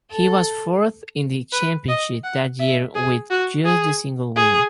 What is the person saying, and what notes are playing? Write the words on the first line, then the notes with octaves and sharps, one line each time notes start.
He was fourth in the championship that year with just the single win.
A4
B4
D#5
F#5
E5
G#4
F#4
G#4
G#4